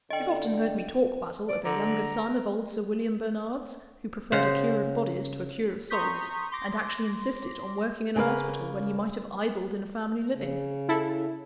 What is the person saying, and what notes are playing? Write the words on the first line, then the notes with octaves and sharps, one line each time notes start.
You've often heard me talk, Basil, of a younger son of old Sir William Bernard's, who preferred a cure of bodies to a cure of souls; and actually insisted on working in a hospital when he might have idled in a family living.
D3 D#5 G5
D5
D3 A#5
C#3 C5 F#5
A#5 C6 C#6 D#6 G6 B6
C6 D6 A#6
C#3 A#3 B4 F5
C#3
E4 A4